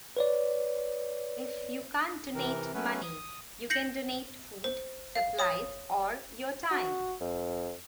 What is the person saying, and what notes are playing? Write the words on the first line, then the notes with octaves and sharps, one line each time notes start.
If you can't donate money, you can donate food, supplies or your time.
B4 C#5 D5
C3 E3 A#4
F#3 A3 B3 C#4 B4
D#6
G6 A#6 C7 C#7 F#7
C5
F5
C#5 D#6
F#4
F2